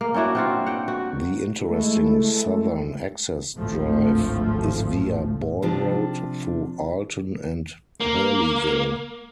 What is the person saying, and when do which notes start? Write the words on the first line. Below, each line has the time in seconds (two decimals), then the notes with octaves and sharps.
The interesting southern access drive is via Ball Road through Alton and Hurleyville.
0.01 A#3
0.14 C#4 D4 E4 F#4
0.35 C4 F4 F#4
0.66 F#5 G5
0.88 F#4
1.60 G#3 A3 E4 A4
3.55 G#1 D2 A2 F3 A3
5.62 C3 F3 D4
8.00 A#3